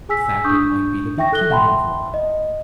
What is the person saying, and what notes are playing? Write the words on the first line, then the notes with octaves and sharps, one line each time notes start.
In fact, it might be the beginning of one.
G#4 G#5 E6 B6
D4 C#6 D#6 G6
E5 G5 C#6 A#6
A4 F#6 A#6 G7
E5 F#5 G5 A5 B5 C6
D#5